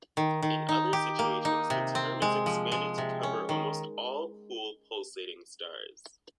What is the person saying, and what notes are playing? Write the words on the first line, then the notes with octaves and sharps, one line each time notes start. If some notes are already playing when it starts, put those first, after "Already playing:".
In other situations, the term is expanded to cover almost all cool pulsating stars.
D#3
D#3
D#4
G4
A#3
D#4
C3
C4
G#3
F3
G#3
C3
C#4
D#3